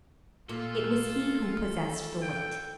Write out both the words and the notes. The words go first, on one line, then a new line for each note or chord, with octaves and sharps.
It was he who possessed the wit.
A#2 F4 A4
G5